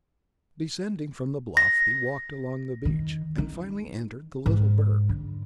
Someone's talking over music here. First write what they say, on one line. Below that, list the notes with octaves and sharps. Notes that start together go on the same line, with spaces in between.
Descending from the bluff, he walked along the beach, and finally entered the little burg.
A#6
D#3
D#4
G#2
D3